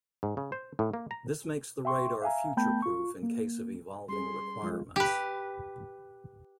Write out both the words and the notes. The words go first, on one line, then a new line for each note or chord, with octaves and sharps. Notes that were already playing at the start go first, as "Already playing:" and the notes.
This makes the radar future proof in case of evolving requirements.
G#2
C#3
C5
A2
A#3
A#5
E5 G5 C6 C#6
E5 F5 G#5 A#5
A3 B3 G5 A5 B5 G6
F4 C#6
A#3
G3 C#4 G#4 C6
F3 G#3 F4
G4 B4